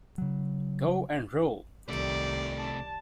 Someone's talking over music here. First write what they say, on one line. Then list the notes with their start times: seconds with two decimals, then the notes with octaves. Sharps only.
Go and rule!
0.18 C#3 F#3
1.90 C2 C3 D#3 A3 G4 D5
2.58 A5